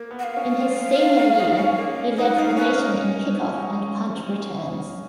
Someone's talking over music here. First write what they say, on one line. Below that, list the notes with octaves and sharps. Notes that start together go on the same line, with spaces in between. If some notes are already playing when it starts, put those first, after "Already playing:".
In his senior year, he led the nation in kickoff and punt returns.
Already playing: A#3
B3
F#5
F5
C#4
D#4
C#4
A#3
D#4 F#5
D#4 F5
C#4 B4
A#4